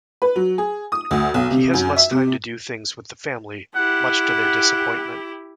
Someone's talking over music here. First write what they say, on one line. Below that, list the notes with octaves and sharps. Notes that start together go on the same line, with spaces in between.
He has less time to do things with the family, much to their disappointment.
B4
F#3
G#4
D#6
D2
B1
C3
F#2
E5
C3
E4 G4 F#5